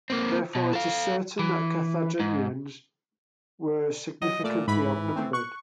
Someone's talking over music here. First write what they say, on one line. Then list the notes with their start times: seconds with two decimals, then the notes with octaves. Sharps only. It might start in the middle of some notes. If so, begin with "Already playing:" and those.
Therefore, it is certain that Carthaginians were significantly outnumbered.
0.10 A#3 C4
0.55 B2
0.73 A4 F5
1.39 E3
2.20 G#2
4.22 F#3 D#5
4.44 A#2 A3 D5
4.68 G#2 E3 B5
5.16 A3 C4
5.33 C#6 F#6